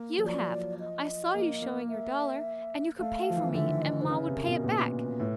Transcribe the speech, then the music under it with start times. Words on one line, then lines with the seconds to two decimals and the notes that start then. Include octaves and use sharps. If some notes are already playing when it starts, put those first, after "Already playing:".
"You have; I saw you showing your dollar, and you could pay for me, and Ma would pay it back."
Already playing: A#3
0.18 F#3
0.24 F3 D5
0.80 D#5
1.34 A#3
1.62 A#3
1.89 E5
2.99 A3 F5
3.30 F3
3.36 E3
3.49 D#3
3.54 D3 E5
3.82 D#5
4.01 D3 C5
4.09 C#3 B4
4.27 C3
4.36 A#4
4.46 B2
4.64 A#2 B4
5.20 A2